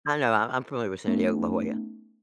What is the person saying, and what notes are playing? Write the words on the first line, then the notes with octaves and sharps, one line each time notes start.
I know. I I'm familiar with San Diego, La Jolla.
A3 B3 C#4 D#4